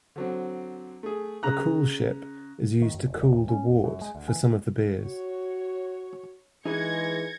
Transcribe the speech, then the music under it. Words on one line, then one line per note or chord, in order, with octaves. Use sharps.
A coolship is used to cool the wort for some of the beers.
D3 F#3 C4
A3 G#4
C#3 A#5 F#6
D#3
F#2
E1
E1
D#2
C#4
F1
F#2
G#3
D2
E3
F#4 C#5
E3 G#3 D#4 G#4 B4 G#6 A#6 C#7